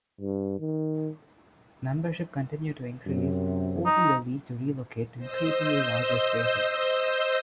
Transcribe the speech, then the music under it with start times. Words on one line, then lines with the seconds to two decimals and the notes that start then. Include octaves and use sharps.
Membership continued to increase, forcing the League to relocate to increasingly larger spaces.
0.21 G2
0.60 D#3
3.06 F#2 C3
3.85 D#4
5.18 C5 D#5 E6 G6